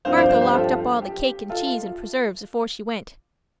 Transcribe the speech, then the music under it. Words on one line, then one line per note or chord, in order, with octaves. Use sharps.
Martha locked up all the cake and cheese and preserves afore she went.
G2 F3 C4 C5 F5
D5
C5 F5
C5 F5
G4 C5
F4 A4
G4
F4 A4
F4